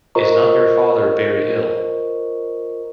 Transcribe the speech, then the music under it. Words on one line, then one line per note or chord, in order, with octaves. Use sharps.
Is not your father very ill?
F4 A#4 C5 D#5 A#5 C#6